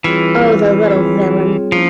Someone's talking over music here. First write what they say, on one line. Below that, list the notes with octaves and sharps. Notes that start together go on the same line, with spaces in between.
Oh, the little villain!
E3 G3 C4 F4 G#4 C#5
G3 C4 F4 G#4 C#5
F3 A#3 C#4 E4